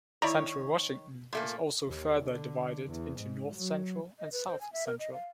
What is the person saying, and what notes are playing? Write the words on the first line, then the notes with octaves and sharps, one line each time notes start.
Central Washington is also further divided into North Central and South Central.
D#3 E4 C#5 D5 A#5
A#2 A3 A#3
D#2
D3
E2
G#2
F#3
D#5
B4
C5
G#5
E5
A#4
D#5
F5